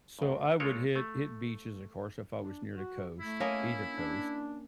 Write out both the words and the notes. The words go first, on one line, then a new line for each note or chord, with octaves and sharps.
so, I would hit hit beaches, of course, if I was near the coast, either coast.
D2 G2
G#3 A3 F4 A4 A#4 C#5
A3
D4
F#4
A3 E4
A#3 C#4 D#5
D4